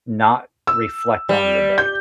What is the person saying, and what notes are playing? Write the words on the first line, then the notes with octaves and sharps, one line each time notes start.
not reflect on the day,
E6
G3
G6